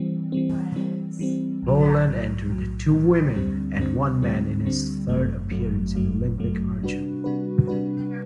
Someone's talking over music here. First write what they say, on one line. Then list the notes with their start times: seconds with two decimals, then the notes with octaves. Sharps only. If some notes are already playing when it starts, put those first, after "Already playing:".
Poland entered two women and one man in its third appearance in Olympic archery.
Already playing: E3 G3 C4
0.32 E3 G3 C4
0.76 E3 G3 C4
1.19 E3 G3 C4
1.63 B1 A2 F#3
2.06 B1 A2 F#3
2.49 B1 A2 F#3
2.93 B1 A2 F#3
3.35 D2 D3 G3 C4
3.78 D2 D3 G3 C4
4.22 D2 D3 G3 C4
4.65 D2 D3 G3 C4
5.08 G1 F#2 F#3 A3
5.51 G1 F#2 F#3 A3
5.95 G1 F#2 F#3 A3
6.38 G1 F#2 F#3 A3
6.81 C3 G3 D4 F#4 B4
7.24 C3 G3 D4 F#4 B4
7.67 C3 G3 D4 F#4 B4